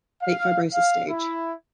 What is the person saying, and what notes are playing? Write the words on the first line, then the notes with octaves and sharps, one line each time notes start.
Late fibrosis stage.
F5
F5
E4